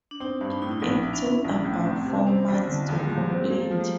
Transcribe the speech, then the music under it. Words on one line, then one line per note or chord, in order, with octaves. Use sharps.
It took about four months to complete.
D4
C4 D#4
G2 D4
D#4
A2 E4
D#4
A#1 E4
D4 E4
C#4
C#4 E4
C#4
A#1
A2
C2 C4
C4
C3 C#4
C4
C4 C#4
B1
D3 E4
F#3 F#4
D#2 G3 G4
G#3 G#4
A#2 G3 G4
C4
G#3 A#3 G#4
A3 A4
F3 F4
G3 G4